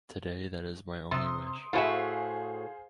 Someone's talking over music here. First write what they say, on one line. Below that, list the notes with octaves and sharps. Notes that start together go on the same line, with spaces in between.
Today that is my only wish.
C3 C6 D#6
A2 F#4 G#4 C5 E5 F5